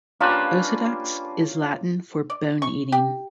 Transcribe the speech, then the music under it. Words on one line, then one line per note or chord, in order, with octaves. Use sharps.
"Osedax" is Latin for "bone-eating".
A#3 C#4 D4 F4 G4 B4
D5
C#6
G4